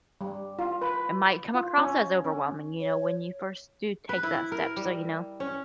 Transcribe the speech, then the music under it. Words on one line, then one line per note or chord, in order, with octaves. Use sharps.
it might come across as overwhelming, you know, when you first do take that step, so, you know,
G3
F4
B4
F4
C#4
C#4
C#5
B4
E4
A#4
G3
C#4